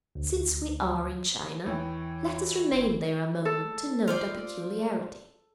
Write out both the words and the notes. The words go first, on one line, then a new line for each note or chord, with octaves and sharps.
Since we are in China, let us remain there a moment to note a peculiarity.
D2
E2 E3 C#5 G5
G1
A4
F4 C5 D5